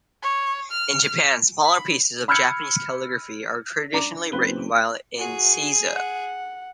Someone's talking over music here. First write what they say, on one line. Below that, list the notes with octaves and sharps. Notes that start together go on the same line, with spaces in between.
In Japan, smaller pieces of Japanese calligraphy are traditionally written while in seiza.
C#5
F6
B5
B5 E6 F6 G6 G#6 C#7
D4 A#5 D6
F#1 C4 B4 G7
F#4 G#4
F#5